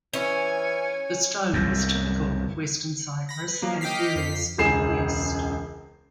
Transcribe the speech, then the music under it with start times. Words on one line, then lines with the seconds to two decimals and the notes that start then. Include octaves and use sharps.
The stone was typical of western Cyprus and areas further west.
0.14 E3 C#4 G#5 C#6
1.53 C2 F#2
3.29 B5 A#6
3.48 B4
3.62 F3 F#3 A#3
3.81 D#5 G5 D6 F6 B6 C7
4.15 F2 B6 C7
4.58 E1 C#2 C#3 G#4 C7 E7